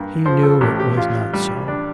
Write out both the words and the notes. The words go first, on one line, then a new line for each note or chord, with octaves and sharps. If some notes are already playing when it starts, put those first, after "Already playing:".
He knew it was not so.
Already playing: G2 A#3
F3 C5
A4
A1 G4
G4
F4
G3
D4